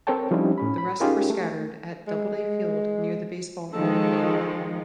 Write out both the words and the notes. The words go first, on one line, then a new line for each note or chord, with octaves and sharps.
The rest were scattered at Doubleday Field near the Baseball Hall of Fame.
C4 A4 A#4 C#5 G5 A5
F3 G3 C4 C#4 D#4 E4
A2 C#4 B5
B5
C#4 D#4 F4 G4 G#4 A#4
A3
G#3
D#3 F3 G#3 A4